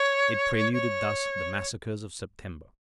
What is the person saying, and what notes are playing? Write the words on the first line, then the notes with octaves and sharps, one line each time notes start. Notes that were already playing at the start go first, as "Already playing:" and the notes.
It preluded thus the massacres of September.
Already playing: C#5
C#5